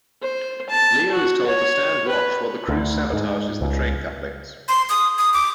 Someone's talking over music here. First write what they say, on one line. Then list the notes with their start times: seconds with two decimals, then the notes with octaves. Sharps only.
Leo is told to stand watch while the crew sabotages the train couplings.
0.22 C5
0.70 A5
1.12 F#4
1.47 C#5
2.08 B4
2.68 D2
3.13 G#2
3.61 C#2
4.69 C6
4.89 D#6
5.18 D#6
5.34 D6